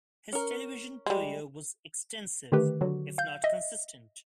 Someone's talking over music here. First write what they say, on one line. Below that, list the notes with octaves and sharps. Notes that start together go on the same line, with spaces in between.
His television career was extensive, if not consistent.
C#4 A#4
G3 G#3
D3 D#3 A3 G4 B4
D3 F#3 F#4
F5 G6
D#5 E5